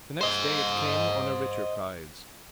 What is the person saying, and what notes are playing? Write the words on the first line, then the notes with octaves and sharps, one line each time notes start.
The next day it came on a richer prize.
C5 D#5